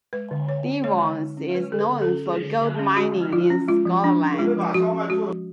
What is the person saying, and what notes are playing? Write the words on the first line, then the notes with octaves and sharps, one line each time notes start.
De Vos is known for gold mining in Scotland.
G#3 B4
D3
D3 C#5
C#4
G#3 C#5
D3
D3
C#4
G#3 B4
D3 A4
B4
D3
A4
C#4
G#3 G#4
D3
D3
C#4
G#3 F#4
F3
F3 F4
C#4
G#3 F4
F3
F3 D4
C#4
G#3 F4
F3
F3 F#4
C#4
G#3 F#4
F3